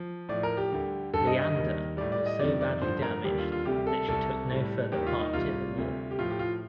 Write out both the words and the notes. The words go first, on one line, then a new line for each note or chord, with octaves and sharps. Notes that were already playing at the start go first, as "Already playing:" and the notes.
"Leander" was so badly damaged that she took no further part in the war.
Already playing: F3
A2 F3 D5
A#4
G4
D2 D3 G3
G2 D3 G3 A4
D#5
D#5
D#2 D#3 G3
A2 G3 D5
D5
D#5
F2 C3 D#3 G3 D5
D5
G2 D3 F3 C5
A#4
D#2 D3 G3 G4
F4
F4
D2 C3 G3 G4
A4
C2 C3 G3 A4
A2 G3
D#2 D#3 G3 G4
F4
D#4
C2 C3 G3 F4
D2 C3 G3
G4
A2 F3 F4
G4
F4